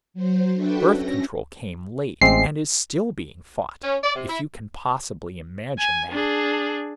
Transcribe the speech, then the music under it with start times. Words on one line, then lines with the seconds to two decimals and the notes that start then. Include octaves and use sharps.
Birth control came late and is still being fought--if you can possibly imagine that.
0.14 F#3 C5
0.55 D4 F#4 A4 B4 E5 G5
0.90 C#4 A#6
2.22 A1 G#3 C4 C7
3.83 C#4
4.04 D5
4.16 C3
4.29 E4
5.78 G#5
6.11 D4 G#4